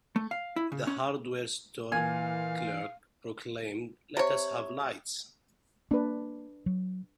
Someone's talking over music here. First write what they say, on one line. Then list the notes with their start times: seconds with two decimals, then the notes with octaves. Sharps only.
The hardware store clerk proclaimed, "Let us have lights!"
0.16 A3
0.31 F5
0.56 E4
0.72 C#3
0.87 C#4
1.92 A#2 E3 F5 G#5
4.17 C3 C#5
5.91 A#3 D4 B4
6.66 F#3